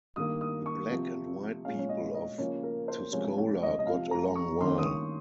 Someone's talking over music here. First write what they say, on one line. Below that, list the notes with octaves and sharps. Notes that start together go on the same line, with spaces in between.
The black and white people of Tuscola got along well.
G2 D#3 A#3 D#6
D#6
C#6
C3 F3 C4
A#2 G#3 C#4 F5
C#5
D#5
D#5
C#3 F3 A#3 C#4 C#5
A#4
C5
C3 F3 G#3 C#4 C#5
C#5
D#5
D#5
C3 F3 C4 F5
A#5
C#6
G2 D#3 A#3 C#4 C6
D#6
C#6